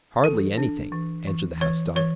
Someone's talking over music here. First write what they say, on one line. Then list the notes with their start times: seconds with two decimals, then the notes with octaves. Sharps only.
"Hardly anything," answered the House Dog.
0.24 E3 A4
0.57 D4
0.92 E3
1.27 E3
1.61 E3 C#5
1.96 E3 C#5